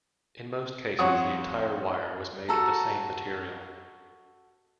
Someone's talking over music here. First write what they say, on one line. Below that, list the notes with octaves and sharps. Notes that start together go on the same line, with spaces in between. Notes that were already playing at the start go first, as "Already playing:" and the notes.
In most cases the entire wire was made of the same material.
F2 C#5 F#5 C#6 D#6
F#4 A4 A#5